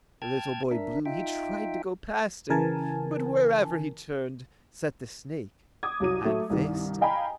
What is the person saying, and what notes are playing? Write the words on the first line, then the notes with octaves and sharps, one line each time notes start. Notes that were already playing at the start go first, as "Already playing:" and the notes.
Little Boy Blue he tried to go past him; But wherever he turned, sat the snake and faced him.
G5 A5 F6 G#6
D4 A#4 E5
D#4 F4 E5 G5
C#3 E3 A#4 G#5 A5
D6 D#6 G#6
C2 F#3 D#7
F#3 A3
C2 G2 D#3 G3
D#5 F5 G5 G#5 A#5 B5